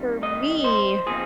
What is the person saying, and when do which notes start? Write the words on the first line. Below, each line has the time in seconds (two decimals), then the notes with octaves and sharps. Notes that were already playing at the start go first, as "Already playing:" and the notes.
For me,
Already playing: C3 D#3 G3
0.23 D#5
0.64 C5
1.07 A#2 F3 C4 D#4 G#4